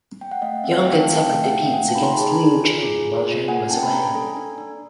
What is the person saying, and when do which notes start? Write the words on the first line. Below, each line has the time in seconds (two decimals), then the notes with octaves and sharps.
Yong had suffered defeats against Liu Chen while Zhang was away.
0.21 G5
0.31 F#5
0.42 A3 D#5 F5
0.64 C4 E5 F#5
0.86 A3 F5 G5
1.00 G5 A5
1.07 C4
1.15 G5 A5
1.29 A3 F5 G5
1.44 E5 F#5
1.52 A3
1.58 F5 G5
1.73 A3 F#5 G#5
1.88 G5 A5
1.95 D#4 B5
2.02 A#5 C6
2.17 G#4 A5 B5
2.32 G#5 A#5
2.39 G#4
2.60 F4
2.83 G#4
3.05 G#4
3.27 F4
3.48 A#3 F#5 G#5
3.71 C#4 G5 A5
3.83 B5
3.93 D4 G#5 A#5
4.15 A4
4.36 D4
4.58 D4